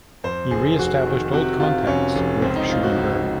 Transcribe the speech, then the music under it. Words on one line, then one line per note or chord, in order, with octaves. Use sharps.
He reestablished old contacts with Schulenburg.
F2 C5
F1 G#4
F1 F#4
D#3
C3 F#4
C3 F4
F1 C#4
F1
C#2 C4
D#4
C#2 F4
F#4
C#2